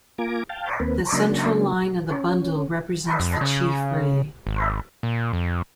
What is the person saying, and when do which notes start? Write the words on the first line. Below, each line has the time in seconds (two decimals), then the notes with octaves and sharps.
The central line of the bundle represents the chief ray.
0.18 A#3 F4 G#5 A#5 D6
0.49 F5 G5 A5
0.80 D#2 A#3 C4 B4
1.12 C#3 F#3 A#3 D4
2.11 C#4
3.20 F2
3.41 C#3
4.47 G#1
5.03 A#2
5.33 F2